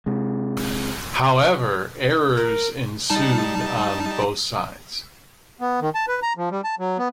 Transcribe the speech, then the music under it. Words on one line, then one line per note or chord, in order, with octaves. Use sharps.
However, errors ensued on both sides.
C3 G#3
A#4
G3 D#4 A5
B3
D#3
A5
B4
A#5
F3
G3
A5
F#3
B3